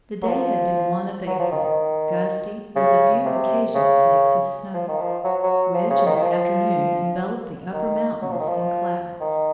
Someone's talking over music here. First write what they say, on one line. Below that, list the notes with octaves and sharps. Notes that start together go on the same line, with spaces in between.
The day had been one of April; gusty, with a few occasional flakes of snow; which, in the afternoon enveloped the upper mountains in clouds.
F#3
F3
F#3
F3
D#3
D#3
C#3
C3
C#3
F3
D#3
F3
F#3
F#3
F3
C#3
D#3
D#3
F3
D#3
F#3
F3
D#3
F3
D#3